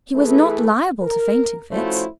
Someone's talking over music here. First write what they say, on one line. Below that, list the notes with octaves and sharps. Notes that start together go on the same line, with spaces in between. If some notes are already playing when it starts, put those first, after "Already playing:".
He was not liable to fainting fits.
E3 A3 E4 G#4 A4 B4
A#4
F3 A3 C#4 E4 F#4 C5